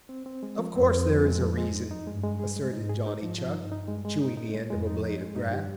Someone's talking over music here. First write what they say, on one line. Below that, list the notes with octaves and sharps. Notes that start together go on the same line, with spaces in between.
"Of course there is a reason," asserted Johnny Chuck, chewing the end of a blade of grass.
C4
C4
G#3
F3
F2 C4
C4
F3
G#3
F3
G#3
D#4
D#4
G2 G#3
G#3
G#4
G#3
G#2 D#4
G#4
D#4
F3
G2 F3
D#4
D#4
G#3
G#3
D#4
D#4
G#3
F2 G#3
D#4
D#4
G#3
G2 D#4
G4